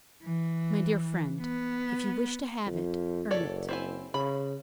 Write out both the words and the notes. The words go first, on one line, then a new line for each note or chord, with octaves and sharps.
"My dear friend, if you wish to have it, earn it."
E3
B3
F2
F#1 A4 C#5 D5
C4 E4 G#5
C#3 B5